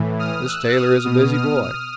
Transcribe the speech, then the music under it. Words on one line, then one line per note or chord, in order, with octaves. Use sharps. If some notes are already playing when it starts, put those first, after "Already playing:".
This tailor is a busy boy.
Already playing: A2 E3
D#6 F6
E6 F#6
D#6 F6
B2
D#6 F6
D#6 F6